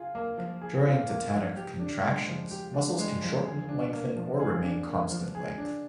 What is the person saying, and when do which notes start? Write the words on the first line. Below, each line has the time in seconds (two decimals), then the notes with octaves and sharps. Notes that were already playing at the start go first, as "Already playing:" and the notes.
During tetanic contractions, muscles can shorten, lengthen or remain constant length.
Already playing: F4 G#4
0.15 A#3
0.38 F3
0.62 G#4
0.86 F4
1.09 A#3
1.33 F3
1.56 G4
1.79 D4
2.03 G#3
2.27 F3
2.51 G4
2.74 D4
2.98 G#3
3.22 F3
3.45 G#4
3.69 D4
3.93 A#3
4.16 F3
4.40 G#4
4.63 D4
4.87 A#3
5.10 F3
5.35 G#4
5.58 D4